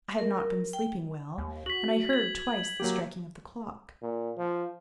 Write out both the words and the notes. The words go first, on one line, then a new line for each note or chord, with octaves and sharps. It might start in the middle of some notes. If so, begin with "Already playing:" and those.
I had not been sleeping well, and I heard, twice, the striking of the clock.
A#4
G5
D#2
F#4 B6 F#7
G#6 F#7
F#3 A#3 G4
A#2
F3